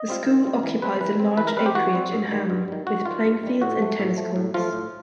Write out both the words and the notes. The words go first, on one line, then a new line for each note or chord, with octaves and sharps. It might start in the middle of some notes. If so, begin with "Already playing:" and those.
The school occupies a large acreage in Ham, with playing fields and tennis courts.
Already playing: D#5
G3 C4 F4
D#3
G3 C4 F4
E3
G3 C4 B4
E3 B4
G3 C4
E3 B4
A#4
G3 C4 B4
G4
E3 F#4
G3 C4
G2
D#3 G3
G2
D#3 G3
G2 F#4
D#3 G3 F4
G2
D#3 G3
A2 F#4
F3 A3
A2
F3 A3
A2
F3 A3 F4
A2